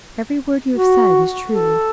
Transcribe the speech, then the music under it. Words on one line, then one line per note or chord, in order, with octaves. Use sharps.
Every word you have said is true.
F#4
A4